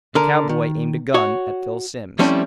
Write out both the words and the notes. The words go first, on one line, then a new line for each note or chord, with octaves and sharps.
A cowboy aimed a gun at Phil Simms.
D3 A#4
D#3
F#4 C#5
F3 G3 A3 C4 C#4 E4